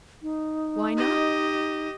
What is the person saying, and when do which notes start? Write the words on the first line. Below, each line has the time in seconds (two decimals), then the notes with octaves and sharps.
Why not?
0.23 D#4
0.97 G4 D#5